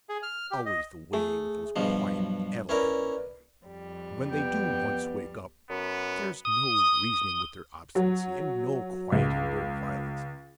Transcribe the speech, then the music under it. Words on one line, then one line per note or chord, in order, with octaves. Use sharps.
It's always the way with those quiet addle-headed men: when they do once wake up, there's no reasoning with their obstinacy, and no quieting their violence.
G#4
F6
G4
D#5
A3 G#4
G2 B2 F3
F#3
C#4 E4 A#4 B4 D5
F2 G3
B3 G5
F#2 B3
D#6
F#3
C#2